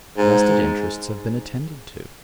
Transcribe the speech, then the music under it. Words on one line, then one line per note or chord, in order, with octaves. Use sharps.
Vested interests have been attended to.
G#2